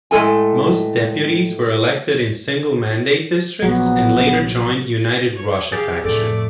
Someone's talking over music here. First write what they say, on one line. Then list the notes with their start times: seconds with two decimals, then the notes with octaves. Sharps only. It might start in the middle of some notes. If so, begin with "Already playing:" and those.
Most deputies were elected in single mandate districts and later joined United Russia faction.
0.11 A2 G#3 A4 G#5
3.62 A#1 F#3 B3
5.36 C#5
5.72 G4 G#4 F5 G6 A6
6.04 F2 A2 A3 A4 D5